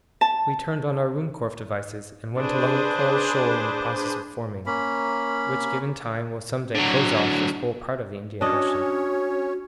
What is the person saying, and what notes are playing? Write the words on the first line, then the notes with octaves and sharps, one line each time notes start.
We turned on our Ruhmkorff devices and went along a coral shoal in the process of forming, which, given time, will someday close off this whole part of the Indian Ocean.
A5
D4 G#4 B4 C5
A#3 C#4 B5
D3 F#3
C#4 D4 F#4 C#5 D#5